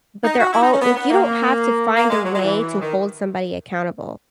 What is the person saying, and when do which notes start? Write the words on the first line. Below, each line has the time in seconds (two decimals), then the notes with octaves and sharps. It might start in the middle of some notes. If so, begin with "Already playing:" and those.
but they're all like you don't have to find a way to hold somebody accountable.
0.24 D#4
0.39 F#4
0.53 E4
0.62 D#4
0.72 C#4
0.81 B3
0.96 B3
1.11 A#3
1.96 A#3
2.10 G#3
2.24 F#3
2.34 G#3
2.39 F#3
2.44 E3
2.81 D#3